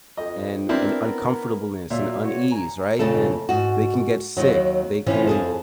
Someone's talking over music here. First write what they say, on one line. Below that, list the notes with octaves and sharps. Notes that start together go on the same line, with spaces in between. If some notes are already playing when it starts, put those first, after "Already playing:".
and and uncomfortableness, and unease, right? And they can get sick, they can
F2 D#5
B3 C4 D4 E4 A#4
A#2 F#3 E5
E2 F#4 C#5
G#5 A#5
F2 A#2 C#3 A3 A4
G#2 F#4
D#2 A2 D#3 F#3
C3 E3 F3 C#4
F2 G#4 A4